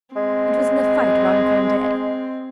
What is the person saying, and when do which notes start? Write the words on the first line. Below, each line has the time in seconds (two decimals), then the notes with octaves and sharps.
It was in the fight round Conde.
0.16 G#3 C4